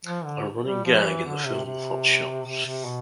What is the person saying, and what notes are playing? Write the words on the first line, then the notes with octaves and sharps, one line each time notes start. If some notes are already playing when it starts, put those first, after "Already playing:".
A running gag in the film Hot Shots!
F3
D3
G3
F3
E3
D3
C3
C3
C3
C3
B2